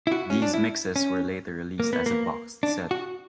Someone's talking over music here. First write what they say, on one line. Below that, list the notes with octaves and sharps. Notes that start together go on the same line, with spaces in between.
These mixes were later released as a boxed set.
E4
F#4
C#4
D4
E4
C#4
A#3
B3
A#3
D4
F#4